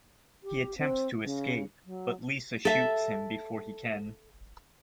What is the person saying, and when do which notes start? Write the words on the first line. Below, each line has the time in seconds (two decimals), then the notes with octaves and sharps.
He attempts to escape, but Lisa shoots him before he can.
0.43 G4
0.78 C4
1.24 C#3
1.85 F#3
2.65 A4 E5